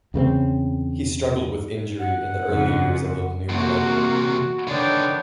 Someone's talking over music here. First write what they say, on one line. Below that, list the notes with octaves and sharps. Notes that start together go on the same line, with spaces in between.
He struggled with injury in the early years of the new millennium.
E2 C#3 A3 C4
F#5
F2 C#3
E2 C3 A#3 F#4
D3 D#3 B3 D4 C#5 D5 G5